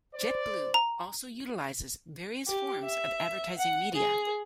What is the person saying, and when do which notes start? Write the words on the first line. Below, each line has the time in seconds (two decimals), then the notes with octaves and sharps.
JetBlue also utilizes various forms of advertising media.
0.14 C5 D5
0.74 A#5
2.47 G4
2.83 E5
3.58 F#5
3.94 G#4